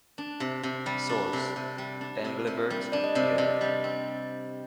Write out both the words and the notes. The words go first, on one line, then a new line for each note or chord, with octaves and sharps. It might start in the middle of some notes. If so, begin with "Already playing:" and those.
Source: Englebert, Pierre.
D4
C3
C3
G3
D4
C3
C3
G3
D4
C3
C3
G3
D4 D5
D#5
C3 D5
C3 D#5
G3 D#5
C4